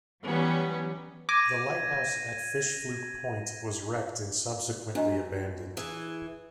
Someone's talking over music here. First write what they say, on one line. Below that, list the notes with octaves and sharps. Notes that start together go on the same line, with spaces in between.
The lighthouse at Fish Fluke Point was wrecked and subsequently abandoned.
E3 F#3 G3 B3 C#4
D6 G#6 A#6 D#7
F#2 D4 D#5 A#5
E3 G#4